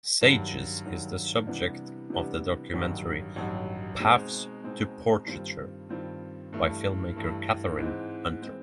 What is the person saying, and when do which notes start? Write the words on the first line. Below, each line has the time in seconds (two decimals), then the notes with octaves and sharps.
Sages is the subject of the documentary "Paths to Portraiture" by filmmaker Catherine Hunter.
0.21 G2 D#3 F#3
0.84 G2 D#3 F#3
1.47 C3 E3 G3 B3 D4
2.10 C3 E3 G3 B3 D4
2.74 A1 G2 D#3 F#3
3.36 A1 G2 D#3 F#3
4.00 B2 G#3 C4 D#4
4.64 B2 G#3 C4 D#4
5.26 G2 D#3 G3 C4 F4
5.89 G2 D#3 G3 C4 F4
6.53 G2 E3 A3
7.16 G2 E3 A3
7.79 G#2 E3 G#3 C4
8.42 E3 G#3 C4